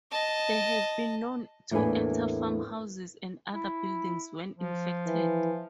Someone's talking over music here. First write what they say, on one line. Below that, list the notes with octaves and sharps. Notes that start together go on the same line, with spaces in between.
They have been known to enter farm houses and other buildings when infected.
D#5 A5
E2 A2 A#3 D4 B4 G#5
E4
F3
E3